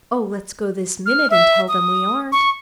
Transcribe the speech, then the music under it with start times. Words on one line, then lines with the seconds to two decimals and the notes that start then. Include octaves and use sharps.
Oh, let's go this minute and tell them we aren't.'
1.06 F6
1.30 E5
1.68 D#6
2.32 C#6